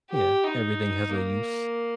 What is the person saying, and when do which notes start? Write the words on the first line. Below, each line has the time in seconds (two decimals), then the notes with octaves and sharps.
Yeah, everything has a use
0.11 G4
0.44 D#4
1.10 A#3